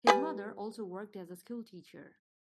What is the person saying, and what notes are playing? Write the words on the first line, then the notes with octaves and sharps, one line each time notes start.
His mother also worked as a schoolteacher.
G3 B4 G#5